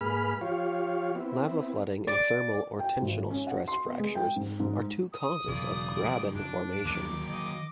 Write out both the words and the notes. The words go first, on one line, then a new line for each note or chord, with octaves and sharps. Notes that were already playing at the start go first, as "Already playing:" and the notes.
Lava flooding and thermal or tensional stress fractures are two causes of graben formation.
G#2 A#3 G#4 B4 B5 F6
F3 F4 G4 C#5 F5
B3 C4 E4
D5
G5
G#1
C#4
F#5
C6
B3
G#3
G5
G#2
G#2
D#6
E1 C#3 F#3 D5
F#2 D4
D#2 F#3 A#3 D6
D#3 D#5